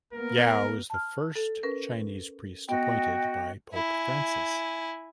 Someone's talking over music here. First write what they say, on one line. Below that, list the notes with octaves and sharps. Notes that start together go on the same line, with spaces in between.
Yao is the first Chinese priest appointed by Pope Francis.
A#3 B3 A#4
A5 F6
A4
C#4 A#4 B4
B3 F#4 D#5 G5
E4 G#5